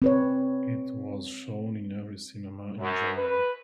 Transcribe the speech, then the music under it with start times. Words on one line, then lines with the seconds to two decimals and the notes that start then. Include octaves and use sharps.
It was shown in every cinema in Germany.
0.02 C4 B4 C#5
2.80 F#2
3.17 B4